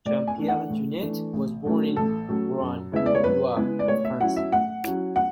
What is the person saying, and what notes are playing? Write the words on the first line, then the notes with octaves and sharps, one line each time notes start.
Jean-Pierre Jeunet was born in Roanne, Loire, France.
A2 D5
G#5
E3 A3 D4
F#5
A2
E3 A3 D4
A1
A2 F#3 A3 C#4
A1 A4
A2 F#3 A3 C#4
F#2
C#3 G#3 B3 E4 E5
D5
C#5
F#2 B4
C#3 G#3 B3 E4
D5
A2 C#5
E5
F#3 C#4 E4 F#5
E5
A2 F#5
F#3 C#4 E4
F#5